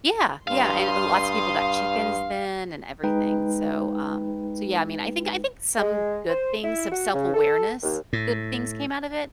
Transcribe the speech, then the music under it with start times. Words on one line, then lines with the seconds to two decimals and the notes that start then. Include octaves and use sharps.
Yeah. Yeah. And l lots of people got chickens then and everything. So, um, so yeah. I mean, I think I think some good things, some self-awareness, good things came out of it.
0.48 G2 F5 C6 D#6
3.04 G#3 D#4 B4 G5
5.78 G#3
6.29 C5
6.63 E4
6.91 F#4
7.13 C#3
7.34 A4
7.83 D#2
8.13 A2